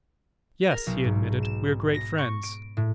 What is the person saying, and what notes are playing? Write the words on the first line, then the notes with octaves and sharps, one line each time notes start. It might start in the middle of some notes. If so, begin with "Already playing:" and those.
"Yes," he admitted, "we're great friends."
A#4
B1
G#2
E7
A#6
C#6
D7
A2